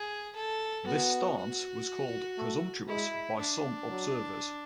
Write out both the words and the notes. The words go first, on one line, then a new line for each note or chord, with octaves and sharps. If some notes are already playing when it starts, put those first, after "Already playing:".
This stance was called "presumptuous" by some observers.
Already playing: G#4
A4
B3 F#4
F#4
A3
G#3 E4
D4
F#3